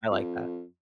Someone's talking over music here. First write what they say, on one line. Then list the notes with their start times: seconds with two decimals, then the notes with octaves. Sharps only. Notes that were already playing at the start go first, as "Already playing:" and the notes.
I like that.
0.11 F2